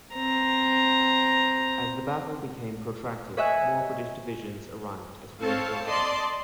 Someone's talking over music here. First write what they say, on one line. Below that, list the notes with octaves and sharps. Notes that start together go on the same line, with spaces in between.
As the battle became protracted, more British divisions arrived as reinforcements.
C4 A#5
B4 C#5 D#5 E5 G#5 F#6
C4 A4 C#5 F5 A5
D5 D#5 A5 C6